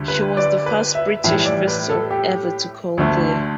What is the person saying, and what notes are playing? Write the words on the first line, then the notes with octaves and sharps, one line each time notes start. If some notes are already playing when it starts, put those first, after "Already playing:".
She was the first British vessel ever to call there.
Already playing: D2 D3 G3
B4
D5
B4
E5
A2 E3 G3 E5
D5
B4
A4
G4
D2 D3 A3